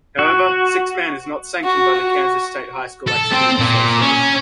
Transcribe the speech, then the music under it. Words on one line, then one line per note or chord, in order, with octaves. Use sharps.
However, six-man is not sanctioned by the Kansas State High School Activities Association.
F#4
F#4
F#4
A4
C4
A#2
C#4